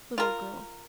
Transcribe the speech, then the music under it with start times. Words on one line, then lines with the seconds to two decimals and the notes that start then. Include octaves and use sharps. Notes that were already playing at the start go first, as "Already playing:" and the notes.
Little girl.
0.18 F4 A#4